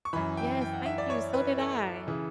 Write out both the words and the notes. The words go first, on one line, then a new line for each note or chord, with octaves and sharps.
Yes, thank you, so did I.
C#6
F#2 E3 B5
G5
G5
F#5
E5
D5
C#5
B4
A4
C#3 E3